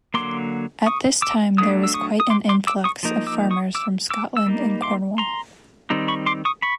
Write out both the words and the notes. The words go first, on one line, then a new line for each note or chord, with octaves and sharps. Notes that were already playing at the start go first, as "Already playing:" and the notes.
At this time there was quite an influx of farmers from Scotland and Cornwall.
D3 F#3 A#3 C6 D6
C#6 D#6
D6 E6
F#3 A3 D4 D#6
E6
C#6 D#6
D#6
C6 D6
C6 D6
D6 E6
C#6 D#6
F3 A#3 D#4
D6 E6
C#6 D#6
D6 E6
D6 E6
E6
G3 A#3 D#4
C6 D6
A#5 C6
D#3 G3 C4 D#4
B5 C#6
C6 D6
C#6 D#6
B5 C#6